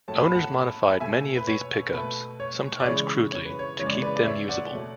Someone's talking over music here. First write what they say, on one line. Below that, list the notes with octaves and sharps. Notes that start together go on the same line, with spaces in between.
Owners modified many of these pickups, sometimes crudely, to keep them usable.
A2 F#3 A3 A5
B5
F#5 A5
B2 A3 E5 G#5
B4
C#5
B2 A3 B4
C#5
D5
C#3 E3 G#3 C#5
C#5
B4
C#5
C#3 E3 G#3 C#5
D5
C#5
B4 D5
D5
C#5 E5
D5 F#5
B2 F#3 A3